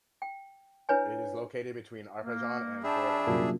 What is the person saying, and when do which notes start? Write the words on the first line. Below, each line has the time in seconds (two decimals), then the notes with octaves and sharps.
It is located between Arpajon and Dourdan.
0.22 G5
0.89 D4 E4 B4 C#5 G#5
2.24 A#3
2.84 D4 G#4 E5 G5 A5 B5
3.27 C2 F#2 A#2